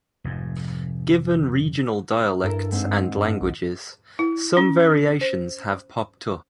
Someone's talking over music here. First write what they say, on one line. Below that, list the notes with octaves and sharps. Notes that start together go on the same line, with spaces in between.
Given regional dialects and languages, some variations have popped up.
F1 F2 G#2
G2 E4 A4 A#4
G#2 C4
G2
B1
E4
C#4
C5